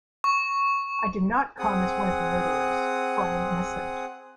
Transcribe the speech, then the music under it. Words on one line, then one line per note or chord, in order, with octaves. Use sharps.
I did not come as one of the murderers, for I am innocent.
C#6
C4 G#4 F#5 D#6